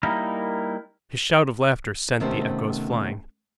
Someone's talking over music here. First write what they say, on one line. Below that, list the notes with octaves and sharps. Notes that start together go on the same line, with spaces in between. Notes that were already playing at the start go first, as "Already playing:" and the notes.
His shout of laughter sent the echoes flying.
G3 A#3 D#4 E4 A#4
C3 D#3 A3 B3 C#4 C5